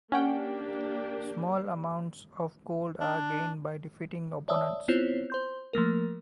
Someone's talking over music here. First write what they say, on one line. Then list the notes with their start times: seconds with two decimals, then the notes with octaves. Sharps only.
Small amounts of gold are gained by defeating opponents.
0.12 A#3 C#4 D4 G4 F#5 G5
3.01 D4
4.48 C#5 D5 E5 A5 D#6 E6
4.88 B3 C4 E4 F4 C5 C#5
5.30 C5 C6 G6
5.73 F3 A3 A#3 A#4